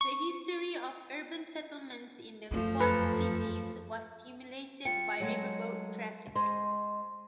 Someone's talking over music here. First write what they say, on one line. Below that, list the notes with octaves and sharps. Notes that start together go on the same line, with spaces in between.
The history of urban settlements in the Quad Cities was stimulated by riverboat traffic.
C#6
F#2 F3 A3
F2 A4 B4 A#5
F4 G5 C#7
F#3 G#3 A3
G#3 C5 D#5 C6